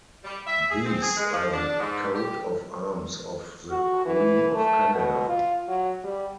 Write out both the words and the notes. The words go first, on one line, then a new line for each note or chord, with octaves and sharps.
These are the coat of arms of the Queen of Canada.
G3
E5
G#4
C4
G#4
G#3
F3
D4
G#2
G4
F#4
E3
A3
B2
F4
F#3
G3